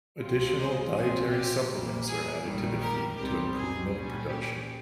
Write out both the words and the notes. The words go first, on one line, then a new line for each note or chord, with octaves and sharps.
Additional dietary supplements are added to the feed to improve milk production.
C#2 C3 F3 C4 F4
C5 D#5
A#1 A#2 F3 C4 F4 G#4
G4
A#1 A#2 G3 A#3
G#4
A#1 G#2 D#3 G3 A#3
G4 A#4
C#2 C3 G3 C4 D#4 G4 A#4
G#4
A#2 G3 C#4
G4